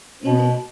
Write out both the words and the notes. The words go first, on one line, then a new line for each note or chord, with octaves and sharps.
In, eh
B2